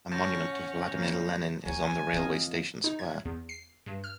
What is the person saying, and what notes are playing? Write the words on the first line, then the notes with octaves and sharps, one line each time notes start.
A monument to Vladimir Lenin is on the Railway Station Square.
C#4 C#5 F#5 A5 C#6 G6 A#6
F#3 G3 A#3
D2 F#3 G#5
F2 E3 D#5
D#4
G#6
E2
C7
G2
F6